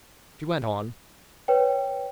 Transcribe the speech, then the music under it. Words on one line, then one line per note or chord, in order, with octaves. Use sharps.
She went on.
B4 C#5 G5